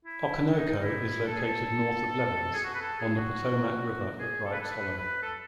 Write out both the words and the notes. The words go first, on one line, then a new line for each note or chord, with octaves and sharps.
Okonoko is located north of Levels on the Potomac River at Bright's Hollow.
E4
D#4
E4
E4
A4
G#4
A4
G#4
F#4
B4
A4
G#4
F#4
G#4
A4
B4
A4
B4
B4
A4